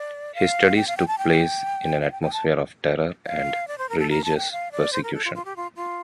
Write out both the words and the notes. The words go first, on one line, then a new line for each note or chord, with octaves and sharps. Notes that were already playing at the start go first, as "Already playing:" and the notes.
His studies took place in an atmosphere of terror and religious persecution.
Already playing: D5
F5
G5
F5
G5
A5
G5
F5
G5
G5
A5
F5
D5
C5
A#4
A4
A#4
A5
G5
F5
D5
C5
A#4
A4
F4
F4
G4
F4
F4